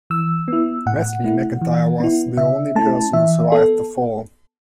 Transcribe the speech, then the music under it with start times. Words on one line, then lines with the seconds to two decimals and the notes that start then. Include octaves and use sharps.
Wesley MacIntire was the only person who survived the fall.
0.10 E3 E6
0.48 B3 E4
0.86 A2 F#5
1.24 A3 E4
1.61 E3
2.00 B3 E4
2.37 C#3 E5
2.75 A3 C#4 E4 A5
3.13 E3 E5
3.52 B3 A4